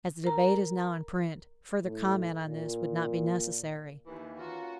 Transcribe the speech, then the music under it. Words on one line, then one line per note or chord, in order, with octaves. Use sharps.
As the debate is now in print, further comment on this would not be necessary.
A#4 A#5
A2
A#2
D#2 E3
A#3 C#4 F4 F#4